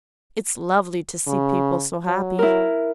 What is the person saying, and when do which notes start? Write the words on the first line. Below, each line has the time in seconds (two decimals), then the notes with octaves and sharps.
It's lovely to see people so happy.
1.27 C#3
2.05 F#3
2.39 E4 A#4